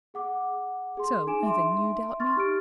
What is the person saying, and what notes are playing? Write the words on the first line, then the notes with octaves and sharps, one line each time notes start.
"So, even you doubt me?"
G#4 F#5 D6
G#4 C6
D4 D#4 G#5 D6 D7 E7
E5 C6
C6 C#6 F6 A6
D#4 G4 F6 D7